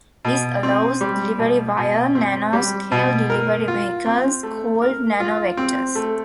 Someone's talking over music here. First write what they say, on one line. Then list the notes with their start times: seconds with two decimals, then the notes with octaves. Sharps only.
This allows delivery via nano-scale delivery vehicles called nanovectors.
0.25 B2
0.63 C4
1.01 G3
1.39 B2
1.77 B2
2.15 C4
2.53 G3
2.92 B2
3.30 A#4
3.68 F4
4.06 C4
4.43 A3
4.82 A#4
5.20 F4
5.57 C4
5.95 A3